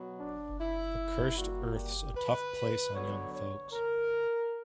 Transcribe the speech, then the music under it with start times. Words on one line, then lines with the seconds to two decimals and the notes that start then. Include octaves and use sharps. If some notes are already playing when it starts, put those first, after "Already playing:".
The Cursed Earth's a tough place on young folks.
Already playing: B2 F#3 B3
0.20 D4
0.60 E4
1.37 A#2 G3 A#3 F#4
1.76 G4
2.16 B4
2.94 D3 F#3 B3 C#5
3.34 C#5
3.72 A#4